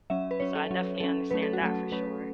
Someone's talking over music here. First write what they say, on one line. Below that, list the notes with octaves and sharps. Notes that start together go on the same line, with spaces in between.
so I definitely understand that for sure.
F#3 C#4 E5
B4
F#3 C#4 C#5
A4
F#3 C#4
F#3 C#4 A4
F#3 A3 C#4 B4
A4
F#4
F#3 A3 C#4 A4
F#3 A3 C#4 B4